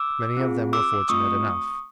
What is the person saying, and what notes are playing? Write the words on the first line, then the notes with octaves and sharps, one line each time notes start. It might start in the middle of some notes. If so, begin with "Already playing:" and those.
Many of them were fortunate enough.
Already playing: D6 E6
C4 F4 G#4
D6 E6
A3 C4 F4 C#6 D#6